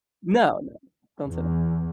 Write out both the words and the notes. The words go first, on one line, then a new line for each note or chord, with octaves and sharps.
No, no, don't say that.
E2